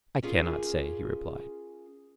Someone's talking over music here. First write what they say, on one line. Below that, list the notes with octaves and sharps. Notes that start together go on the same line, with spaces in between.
I cannot say, he replied.
C#4 F4 G#4 A#4